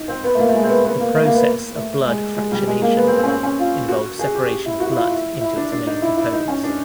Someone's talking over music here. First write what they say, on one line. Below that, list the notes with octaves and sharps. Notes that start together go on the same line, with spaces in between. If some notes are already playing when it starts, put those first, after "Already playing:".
The process of blood fractionation involves separation of blood into its main components.
Already playing: D#4
C4
B3
A3
A#3
A3
G#3
C4
B3
B3
A#3
A3
A#3
B3
A3
G#3
G#3
G3
G#3
A#3
B3
C4
C4
C#4
C4
C#4
F4
F#4
G#4
G4
E4
F#4
E4
F4
E4
E4
D4
D4
D#4
E4
E4
D#4
C#4
D4